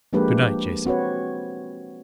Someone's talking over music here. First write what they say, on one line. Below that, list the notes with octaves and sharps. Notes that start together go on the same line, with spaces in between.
"Good-night, Jason."
F3 G#3 A#3 D4 G4 B4
C4 F#4 B4 C#5